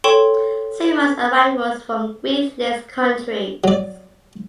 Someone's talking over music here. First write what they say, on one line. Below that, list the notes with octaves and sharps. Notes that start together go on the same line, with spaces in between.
Same as arrivals from Green list countries.
A4 C#5 G5 C6 C#6 E7
F#3 D5